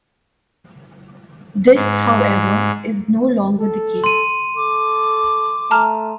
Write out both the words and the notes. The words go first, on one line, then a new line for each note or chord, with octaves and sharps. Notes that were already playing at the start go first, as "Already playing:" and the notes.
This, however, is no longer the case.
G#2
A4
C6 D#7
A4 D6
A3 A5 A#5 F6